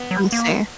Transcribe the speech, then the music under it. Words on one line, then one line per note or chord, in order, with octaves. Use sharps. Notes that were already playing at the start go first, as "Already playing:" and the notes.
I see.
Already playing: B3
F#3
A#3